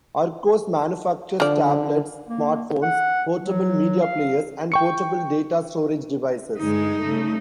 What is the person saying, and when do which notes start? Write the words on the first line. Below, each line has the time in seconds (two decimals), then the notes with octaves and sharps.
Archos manufactures tablets, smartphones, portable media players and portable data storage devices.
1.40 D3 F3 D5
2.28 A#3
2.82 F#5
3.39 F#3
4.02 F5
4.72 G5 C#6 C#7
6.58 G2 D3 G#3 D#4
7.02 C#3 G3 A3